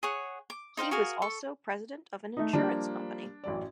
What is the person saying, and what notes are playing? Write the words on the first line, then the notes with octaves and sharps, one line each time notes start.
He was also president of an insurance company.
G#4 C#5 F#5
D6
D#4 C5 F5 G5
F#4 G#4 A#4 F5
A4 C#6
A3 D#4
F3 G3 A#3 D4
A1 F#2 D5